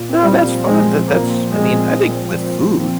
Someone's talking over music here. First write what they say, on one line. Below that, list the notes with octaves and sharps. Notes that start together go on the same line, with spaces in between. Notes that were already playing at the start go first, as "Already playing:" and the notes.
No, that's fun, that that's, I mean, I think with food
Already playing: A#2
C4
G3
F3
G#3 C4
F3
A#3
A#2
A#2 G#3
A#2
A#2
A#2